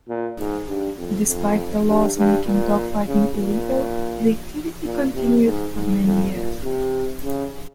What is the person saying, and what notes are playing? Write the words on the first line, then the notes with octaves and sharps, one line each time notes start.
Despite the laws making dog fighting illegal, the activity continued for many years.
A#2
G#2
G2
F2
F2
G2
G2
A#2
C#3
A#2
A#2
C3
G#2
G#2
F2
A#2
C3
C#3